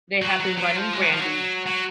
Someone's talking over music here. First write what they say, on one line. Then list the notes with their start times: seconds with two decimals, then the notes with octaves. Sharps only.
They had been running brandy.
0.22 F#3
0.40 F#3
0.58 F#3
0.77 F3
0.94 G#3
1.03 F#3
1.11 F3
1.20 F#3
1.66 F#3